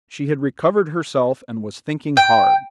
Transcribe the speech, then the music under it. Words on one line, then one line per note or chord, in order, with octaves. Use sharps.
She had recovered herself and was thinking hard.
G5